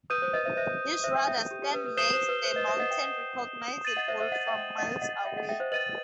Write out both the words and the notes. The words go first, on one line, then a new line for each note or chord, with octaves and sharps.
This radar stand makes the mountain recognizable from miles away.
B4 D#6 G6 D#7
C5
B4 D#5
C5 E5
C5 E5
C5 E5
E5 G5
E5 G5
A4
G4
G4
B4
B4
C5 D#6 G6 C7 E7 G7
C5
B4
C5
B4 D#5
C5 E5
D#5 F#5
E5 G5
A6 D#7 F#7
D#5 F#5
C5 E5
C5 E5
D#5 F#5
E5 G5
D#5 F#5
D#5 F#5
E5 G5
D#5 F#5
E5 G5
C5 E5
B4 D#5 A6 D#7 F#7